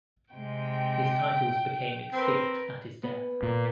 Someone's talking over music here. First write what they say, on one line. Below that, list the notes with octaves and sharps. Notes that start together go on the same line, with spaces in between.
His titles became extinct at his death.
C3 G#3 G5
C4 A#4 B4
B3
A#2